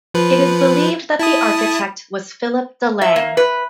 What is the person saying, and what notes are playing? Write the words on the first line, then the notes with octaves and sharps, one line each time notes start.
It is believed that the architect was Philip de Lange.
F3 B4
E4 A5 D#6
E5
A#3
B4